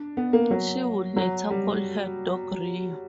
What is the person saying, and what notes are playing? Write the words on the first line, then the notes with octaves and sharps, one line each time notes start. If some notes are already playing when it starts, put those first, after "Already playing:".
She would later call her dog Rio.
Already playing: D4
B3
A#3
F#3
F#3
G3